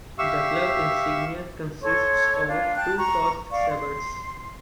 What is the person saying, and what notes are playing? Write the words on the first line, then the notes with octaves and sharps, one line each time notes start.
The club insignia consists of two crossed sabres.
G4 E5 F5 C#6 E6
A4 C#5 C6 C#6
D4 F4
G5 A5 F#6
A#5 C#6
D5 F5 C#6
C6